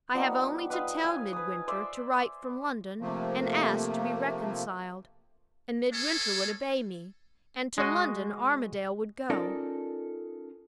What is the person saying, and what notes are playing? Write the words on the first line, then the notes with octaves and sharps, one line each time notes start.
I have only to tell Midwinter to write from London, and ask to be reconciled; and Midwinter would obey me--and to London Armadale would go.
F3 G3 B3 D#4
B4 D#5 F5 C6
F5 G#5
B4 D#6
C5 D5 E5 C6
C3 F3 A3 A#3
C#4 G#4 A4
G#3 F#4 D#5
C#4 D#4 F4 A4 A#4 D5